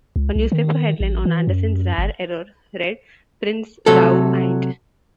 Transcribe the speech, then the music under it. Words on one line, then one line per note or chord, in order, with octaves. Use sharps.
A newspaper headline on Anderson's rare error read "Prince Thou Ain't".
C#2
C2
D#3
A1
E3
F#2
G1
C3 F#3 A3 A4